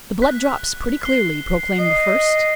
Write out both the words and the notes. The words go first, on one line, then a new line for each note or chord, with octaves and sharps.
The blood drops pretty clearly, proclaimed the first.
F#6 B6
C7 G7
D#5 C7